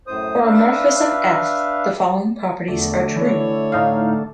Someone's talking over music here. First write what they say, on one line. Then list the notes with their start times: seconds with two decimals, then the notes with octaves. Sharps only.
For a morphism "f", the following properties are true.
0.07 F#2 A2 C5 D#6
0.43 D4 B4 E5 F5
2.68 E2 D3 A3
3.16 E3 E4 C#5
3.72 A2 D#4 F5